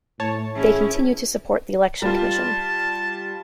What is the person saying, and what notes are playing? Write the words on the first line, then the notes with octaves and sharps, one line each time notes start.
They continue to support the election commission.
A2 C#5 A5
A1 C#4 E4 G#4
G3 F4 A5